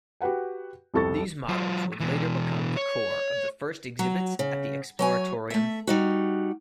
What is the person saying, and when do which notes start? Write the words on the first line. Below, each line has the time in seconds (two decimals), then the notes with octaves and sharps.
These models would later become the core of the first exhibits at the Exploratorium.
0.21 F#4 G4 B4 F#5 G5
0.94 C2 F2 A4 C#6 A6
1.49 F#3 F4
2.00 B2 E3
2.77 C#5
3.99 F#3
4.39 C#3
4.99 F#3 C#5 G#5
5.50 A3 E5
5.87 G3 D#4 F#4